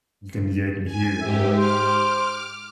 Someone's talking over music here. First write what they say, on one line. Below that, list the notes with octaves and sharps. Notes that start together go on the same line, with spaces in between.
you can yeah, I can hear it, yup.
G#5
G#2 G4 E5
C5 D6 F6